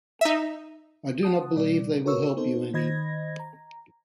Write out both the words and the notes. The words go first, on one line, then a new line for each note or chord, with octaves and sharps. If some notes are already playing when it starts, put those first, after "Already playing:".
I do not believe they will help you any.
D#4 E5
F#5 A5 D#6
B2 G3 D5
F#4 A#4 B4 C#5 C#6 E6
B3 C4 D#4 A4 C5
D#3 C5 D#5 B5 G#6 A#6
A#5